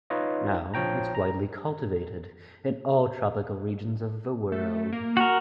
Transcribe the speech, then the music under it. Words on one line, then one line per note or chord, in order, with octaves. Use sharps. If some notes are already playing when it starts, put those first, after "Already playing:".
Now, it is widely cultivated in all tropical regions of the world.
D#4 F4 B4 C#5 D#5
A#1 F3 C#5 G5 A#5
A#5
A3
A#3
F#4 A#4